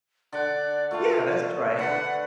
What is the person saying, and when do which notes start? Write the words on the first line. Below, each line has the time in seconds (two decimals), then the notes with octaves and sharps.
Yeah, that's right.
0.33 D3 D5 F#5
0.91 A3 F4
1.79 D3 B4 F#5 B5